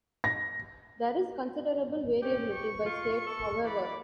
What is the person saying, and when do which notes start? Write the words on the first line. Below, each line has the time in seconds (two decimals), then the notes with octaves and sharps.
There is considerable variability by state, however.
0.24 A#6
2.22 C#4 G4
2.54 C#6
2.86 F4
3.27 A4
3.64 E3 D5 B5